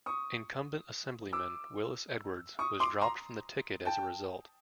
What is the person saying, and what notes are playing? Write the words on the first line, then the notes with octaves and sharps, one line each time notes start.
Incumbent Assemblyman Willis Edwards was dropped from the ticket as a result.
C#6 D#6
D6 E6
C#6 D#6
C6 D6
A#5 C6
G5 A5